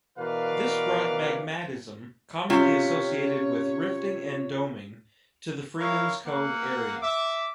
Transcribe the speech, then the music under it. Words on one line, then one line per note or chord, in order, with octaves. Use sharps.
This brought magmatism commonly associated with rifting and doming to the Freemans Cove area.
B2 E3 A#4 B4 D5 F5
C3 C#4 F4 C#5
E4 A#4 C#5 F5
A#3 F#5
E5 D6